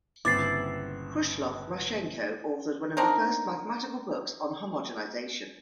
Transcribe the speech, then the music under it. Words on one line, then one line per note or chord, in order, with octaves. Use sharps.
Khruslov, Marchenko authored one of the first mathematical books on homogenization.
G1 C#2 A#2 C4 E4 D6 A6 C7
C4 D4 D#4 A#4